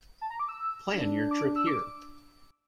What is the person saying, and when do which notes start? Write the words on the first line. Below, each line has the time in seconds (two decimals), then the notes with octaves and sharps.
Plan your trip here.
0.21 A5
0.30 A#5
0.39 D6
0.49 E6
0.95 D4
1.31 D6
1.56 E6
1.67 D6